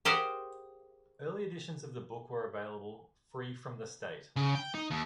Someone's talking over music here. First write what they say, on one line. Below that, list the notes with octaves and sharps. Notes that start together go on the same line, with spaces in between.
Early editions of the book were available free from the State.
G4 G#4 A#4 C5 F5 F#5
C#3
G5
D#4
D#2